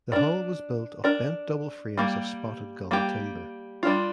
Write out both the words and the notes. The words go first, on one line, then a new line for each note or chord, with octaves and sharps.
The hull was built of bent double frames of spotted gum timber.
D4 A#4 D5
D4 A#4 D5
G3 A#3 G4
G3 A#3 G4
G3 D4 F4